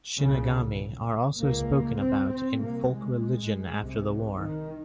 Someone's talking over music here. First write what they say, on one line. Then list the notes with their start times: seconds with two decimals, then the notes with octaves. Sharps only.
Shinigami are also spoken about in folk religion after the war.
0.20 C2 A#2 C#3
1.39 C#2 C#3 A#3
1.99 C4
2.29 C4
2.59 C2 C3 A#3
2.89 G#3
3.79 C2 C3
4.38 D#3